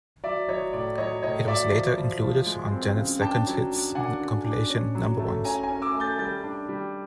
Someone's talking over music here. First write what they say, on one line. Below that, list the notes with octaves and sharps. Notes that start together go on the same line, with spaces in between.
It was later included on Janet's second hits compilation "Number Ones".
F#3 D5 E5
F#3 C#5 D#5
A2 D5
F#3 C#5 D#5
A2 C#5 D#5
F#3 D5 E5
F3
F3
F3
G#3
C4
C#3
D4 G5 A5
F#3
D4
D4 F#5 G#5
D3
D4
C#4
F#3
A3
C#4 G#5 A#5
G#5 A#5
C#4
D6 E6
A3
G6 A6
G3 G6 A6
D4
G3